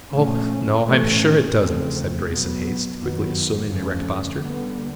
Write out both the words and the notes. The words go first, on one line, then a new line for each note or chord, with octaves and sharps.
"Oh no, I am sure it doesn't," said Grace in haste, quickly assuming an erect posture.
A#2 F3 A3 C#4
A2 E3 A3 C#4
E2 C#3 F3 A3 C4
B2 F#3 B3
F#2 D#3 F#3 B3
F2 D3 F3 A3 C#4
D3 G3 B3